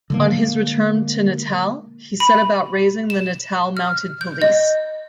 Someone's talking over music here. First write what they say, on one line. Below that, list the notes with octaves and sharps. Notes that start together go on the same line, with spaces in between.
On his return to Natal he set about raising the Natal Mounted Police.
D3 G#3 A#3
B5
E7
F6
G6
D#5